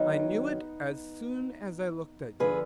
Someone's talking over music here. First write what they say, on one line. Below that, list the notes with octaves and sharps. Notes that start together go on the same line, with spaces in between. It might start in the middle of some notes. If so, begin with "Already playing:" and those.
"I knew it as soon as I looked at you."
Already playing: F#2 D#3 F#3 B3 D#4
D3 F3 G#4 B4